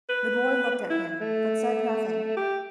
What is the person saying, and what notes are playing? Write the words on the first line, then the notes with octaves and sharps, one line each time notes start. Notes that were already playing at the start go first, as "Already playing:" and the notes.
The boy looked at him, but said nothing.
B4
E4
A3
G4